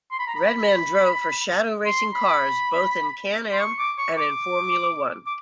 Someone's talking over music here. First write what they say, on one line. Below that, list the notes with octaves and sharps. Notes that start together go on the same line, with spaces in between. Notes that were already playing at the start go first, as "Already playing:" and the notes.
Redman drove for Shadow Racing Cars both in CanAm and in Formula One.
C6
B5
A#5
B5
C6
B5
C6
C#6
D6
C#6
D6
D6